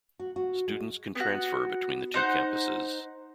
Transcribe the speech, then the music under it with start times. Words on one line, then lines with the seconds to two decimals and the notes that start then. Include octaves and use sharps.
Students can transfer between the two campuses.
0.19 F#4
0.36 F#4
0.68 G#3
1.15 B3 F#4
2.14 D#4 C5 F#5